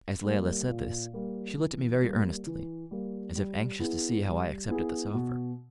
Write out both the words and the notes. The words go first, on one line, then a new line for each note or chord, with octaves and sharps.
As Layelah said this she looked at me very earnestly, as if anxious to see how I accepted this offer.
G3 A#3
A#2
G3 A#3
E3
G3 A#3
E3
G3 A#3
G3
B3 E4 G#4
G3
B3 E4 G#4
B2